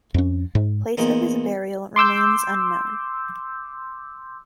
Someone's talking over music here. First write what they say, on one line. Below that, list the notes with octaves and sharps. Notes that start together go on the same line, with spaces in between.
Place of his burial remains unknown.
F2 C#4
G#2
E2 A#2 D#4
C6 D6 E6 G6